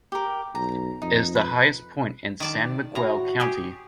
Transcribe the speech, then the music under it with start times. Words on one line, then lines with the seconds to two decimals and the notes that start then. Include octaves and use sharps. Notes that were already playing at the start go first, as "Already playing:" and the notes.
It is the highest point in San Miguel County.
0.12 G4 A#4
0.55 B1 A#5
1.02 F2 D#4
1.35 B4
2.40 D#3 D5 A5
2.95 A2 F#4 A#5
3.40 G4 G#4